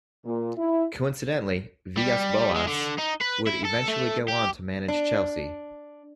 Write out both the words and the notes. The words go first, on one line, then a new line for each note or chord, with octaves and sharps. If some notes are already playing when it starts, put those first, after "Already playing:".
Coincidentally, Villas-Boas would eventually go on to manage Chelsea.
A#2
E4
G3
G#3
D3
D#4
B4
E4
A4
A3
G4
D4